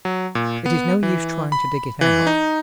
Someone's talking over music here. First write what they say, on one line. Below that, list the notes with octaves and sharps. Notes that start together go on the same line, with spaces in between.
It is no use trying to dig it out.
F#3
A#2
B3
E3
B5
E3
D#4